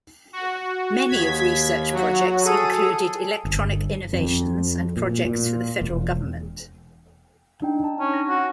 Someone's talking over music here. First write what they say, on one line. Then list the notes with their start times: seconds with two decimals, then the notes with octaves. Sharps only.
Many of research projects included electronic innovations and projects for the federal government.
0.33 F#4
1.08 D#2 G#6 B6
1.92 F#3 F#4
2.45 G#4 A4 D#7
3.45 G1
4.13 F2
4.97 A#2
5.25 A#2
5.81 E1
7.62 D4 D#4 G5
7.84 A5
8.00 C#4
8.14 A#6
8.29 F#4